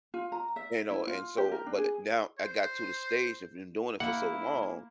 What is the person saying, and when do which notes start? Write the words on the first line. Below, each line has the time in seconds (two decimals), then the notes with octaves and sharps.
You know, and so but i now, I got to the stage I've been doing it for so long,
0.14 F4
0.32 A#5
0.56 E5
0.90 E4
1.07 F4
1.38 G4
1.52 A#4
1.66 D4
1.79 G#4
2.39 C5
4.00 A#3 E4 F#5